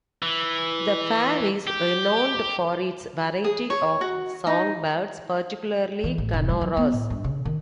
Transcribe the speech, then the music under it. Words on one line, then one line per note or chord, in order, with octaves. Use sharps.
The fair is renowned for its variety of songbirds, particularly "canoras".
E3
G4
G#4
C#5
F#4
D#4
E3
A1
F1
G3
F#3
B3
A2
G2
C#3
D#3